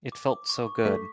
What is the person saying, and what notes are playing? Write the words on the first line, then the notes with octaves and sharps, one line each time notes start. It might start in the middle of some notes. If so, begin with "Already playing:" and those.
It felt so good.
D6
D6
C#6
C#6
A3 B6